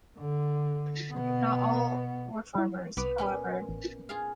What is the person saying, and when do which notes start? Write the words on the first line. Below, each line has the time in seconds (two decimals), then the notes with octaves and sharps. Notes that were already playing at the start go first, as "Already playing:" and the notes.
Not all were farmers, however.
0.18 D3
1.12 B2 B3
2.55 G3 E4
2.97 C2 B3 B4 D6
3.18 A#2 B3 C#4
3.68 A1
4.09 F4 G#4 F5